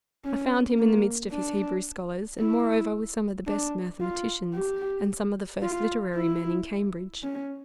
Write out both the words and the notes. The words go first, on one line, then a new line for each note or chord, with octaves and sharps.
I found him in the midst of his Hebrew scholars, and moreover with some of the best mathematicians, and some of the first literary men in Cambridge.
C#4
A#3
D4
E4
D4
F4
G4
F4
E4
C#4